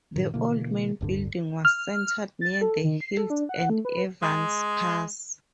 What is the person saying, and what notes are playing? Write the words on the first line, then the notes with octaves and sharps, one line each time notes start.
The old main building was centred near the hills and Evans Pass.
G2 A#2 D#3
B2 D3 E3 A#3
D1 G2 D3
F6
A6
A4
D#3
C7
A4
D4
F#5
A3
B4
G#3